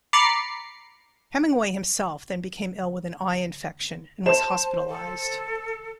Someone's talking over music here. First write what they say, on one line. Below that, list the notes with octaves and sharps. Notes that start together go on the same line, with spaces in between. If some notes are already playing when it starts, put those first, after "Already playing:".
Hemingway himself then became ill with an eye infection and was hospitalized.
A#5 B5 D6 A6 C7 C#7
C5 A5 E7
A4